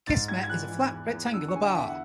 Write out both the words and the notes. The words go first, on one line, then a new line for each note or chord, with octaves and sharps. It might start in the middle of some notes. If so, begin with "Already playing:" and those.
Kismet is a flat, rectangular bar.
G#2 A6
G#2 G#6
G#6
E3 F#6
E3
E2
E2
D3 E6
C#6
D3 G#5
F#5
E2 E5
F#5